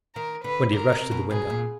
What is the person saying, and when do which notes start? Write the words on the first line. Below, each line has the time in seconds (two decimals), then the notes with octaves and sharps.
Wendy rushed to the window.
0.15 D#3 A#4
0.44 D3 B4
0.72 D3 A#4
0.92 C3
1.11 B2
1.31 B2 G#4
1.50 A#2